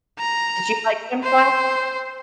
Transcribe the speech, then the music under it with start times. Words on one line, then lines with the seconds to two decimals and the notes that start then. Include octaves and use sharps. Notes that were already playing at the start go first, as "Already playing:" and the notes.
Did you like gym class?
0.19 A#5
1.23 C5